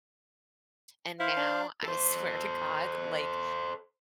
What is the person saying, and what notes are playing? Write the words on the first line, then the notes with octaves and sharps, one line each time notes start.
and now, I, swear to God, like,
E4 C5 F5
D4
A4 C5